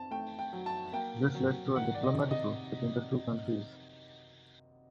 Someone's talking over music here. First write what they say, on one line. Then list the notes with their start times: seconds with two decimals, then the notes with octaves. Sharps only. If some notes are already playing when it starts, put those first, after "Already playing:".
This led to a diplomatic row between the two countries.
Already playing: C4 A5
0.11 A3 G5
0.39 G5
0.53 F#3
0.66 A5
0.93 A#3 G5
1.35 F#3
1.76 D#3 F#5
1.94 D5
2.03 D#5
2.16 C3
2.31 D#5